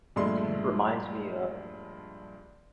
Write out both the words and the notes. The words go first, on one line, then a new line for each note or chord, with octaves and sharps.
It kind of reminds me of
A#1 G2 G#3 A3 C6